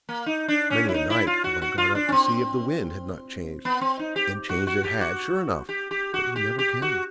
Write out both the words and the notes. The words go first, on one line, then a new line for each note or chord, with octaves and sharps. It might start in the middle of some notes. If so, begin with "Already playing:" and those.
Many a night have I got up to see if the wind had not changed: and changed it had, sure enough; but you never came.
A#3
D#4
D4
C#4
E4
D#4
E4
F4
F#4
F#4
F4
D4
C#4
C4
B3
C4
D#4
G4
F#4
F#4
G4
F#4
G4
G4
F#4
G4
G4
F#4